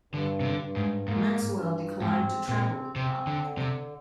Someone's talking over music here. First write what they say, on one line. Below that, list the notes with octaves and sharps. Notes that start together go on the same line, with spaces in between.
Maxwell declined to travel with the Doctor.
G2 D3
C3
D3
G2
G#2
G#2 A#3
G2
G#2 C4
A#2 C4
C3 C4
D3
D3
C3